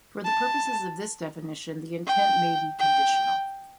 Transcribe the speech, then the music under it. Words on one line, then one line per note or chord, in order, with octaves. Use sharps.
For purposes of this definition, the intent may be conditional.
A5
G5
G5